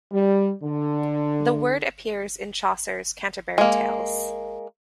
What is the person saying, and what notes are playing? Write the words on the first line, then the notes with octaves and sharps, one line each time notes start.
The word appears in Chaucer's "Canterbury Tales".
G3
D3
G#3 A#3